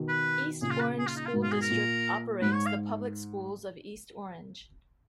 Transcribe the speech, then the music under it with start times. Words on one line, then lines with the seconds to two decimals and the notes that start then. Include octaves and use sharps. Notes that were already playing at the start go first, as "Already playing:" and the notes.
East Orange School District operates the public schools of East Orange.
Already playing: B2 D#3
0.08 B4
0.62 A#2 C#3 G#4
0.71 F4
0.80 B4
0.99 G#4
1.07 F4
1.16 D#4
1.26 F4
1.33 G#2 B2
1.43 F4
1.52 G#4
1.61 A#4
1.71 A#2
2.42 G#2 B4
2.54 C#5
2.66 F5